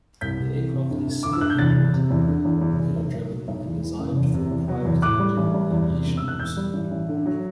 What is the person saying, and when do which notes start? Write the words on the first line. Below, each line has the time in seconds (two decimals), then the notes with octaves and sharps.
The aircraft is single-engined, propeller driven and designed for private and general aviation use.
0.21 C2 G6 B6
0.39 C3
0.56 E3
0.74 C3
0.91 D2
1.08 D2
1.23 D2 D6
1.33 E6
1.41 D2 F#6
1.50 G6
1.58 E2 F#6 A6
1.76 E2
1.94 C3
2.10 E2
2.27 D3
2.45 E2
2.61 E2
2.79 E2
2.96 B1
3.13 B1
3.30 F#3
3.48 B1
3.66 E2
3.82 E3
3.99 F#1
4.17 E2
4.34 C3
4.51 E2
4.68 F#3
4.85 E2
5.02 A2 D6 F#6
5.19 G3
5.37 A1
5.53 G3
5.71 E2
5.88 C3
6.05 E1
6.17 E6
6.23 E1
6.28 F#6
6.39 A1 E6 G6
6.57 G3
6.74 A1
6.91 A1
7.08 D3
7.26 F#3